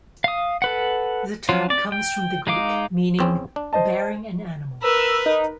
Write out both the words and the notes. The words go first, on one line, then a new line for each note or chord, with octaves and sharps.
The term comes from the Greek, meaning "bearing an animal".
F5 D#6
A4 B4 F#5
F3 F#3 F4
D5
G5
G#3 D#4 F5 D6
E2 C4 C#4
D4
C5 D#5 A5
A#4 B4 E6
D#4